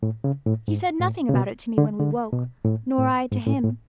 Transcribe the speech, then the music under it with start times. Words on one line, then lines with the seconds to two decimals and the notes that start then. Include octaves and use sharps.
He said nothing about it to me when we woke, nor I to him.
0.03 A2
0.24 C#3
0.47 A2
0.68 G#2
1.00 A2
1.29 C#3
1.34 B2
1.78 D3
2.00 D3
2.33 B2
2.65 A2
2.99 A2
3.32 G#2
3.47 A2
3.64 A2